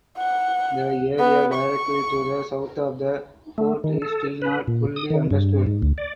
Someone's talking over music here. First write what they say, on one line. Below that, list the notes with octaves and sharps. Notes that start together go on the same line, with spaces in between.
The area directly to the south of the fort is still not fully understood.
F#5
B3
C#6
A3
D#3
A4
B4
A#2
D#6
D#3
G2
G#2
D2
D5